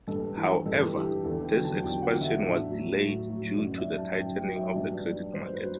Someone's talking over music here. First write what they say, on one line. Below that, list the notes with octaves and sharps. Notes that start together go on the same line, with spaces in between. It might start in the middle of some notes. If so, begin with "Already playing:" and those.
However, this expansion was delayed due to the tightening of the credit market.
G2 A4
E3
G2 A4
E3 G4
E2 A4
G5
D3 F#3
A5
E2 G5
F#5
D3 F#3
E5
A2
F#3
A2
F#3
F#2 D5
E5
F#3
A5
F#2 G5
G5
F#3
E5
G2 D5
F#3
G2 C5
B4
F#3